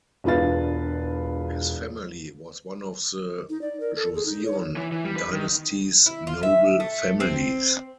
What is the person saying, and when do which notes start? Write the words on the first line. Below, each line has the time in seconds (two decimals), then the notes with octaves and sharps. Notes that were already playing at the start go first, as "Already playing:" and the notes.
His family was one of the Joseon Dynasty's noble families.
0.24 E1 D4 F4 B4 F5 A6
3.50 D#4
3.61 D5
3.80 A#4
3.96 A4
4.14 G#4
4.26 D#4
4.45 C#5
4.77 E3
4.92 E3
5.04 G3
5.16 B4
5.32 D#3
6.06 E4
6.27 F4
6.43 E5
6.80 A3
7.20 C4